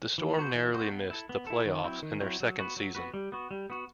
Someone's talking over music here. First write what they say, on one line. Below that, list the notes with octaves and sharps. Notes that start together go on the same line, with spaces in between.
The Storm narrowly missed the playoffs in their second season.
E3
B3 F#4 C5
E3
B3 F#4 C5
B3
E4 A4
B3
E4 A4
D#3
F#3 C4 E4
D#3
F#3 C4 E4
F#3
B3 F#4 B4
F#3
B3 F#4 B4
G3
B3 F#4
G3
B3 F#4